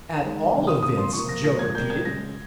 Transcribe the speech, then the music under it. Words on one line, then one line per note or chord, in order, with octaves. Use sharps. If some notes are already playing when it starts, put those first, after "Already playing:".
"At all events!" Joe repeated.
D#3 G#3
C3 D#3 G3
D#6
C#3 F3 A#3 D#6
C6
C3 F3 A#3 C#6
A#6
A#2 F3 G#3 A#6
G#6
A#2 G3 A#3 G6
G#6
C#3 G#3 A#6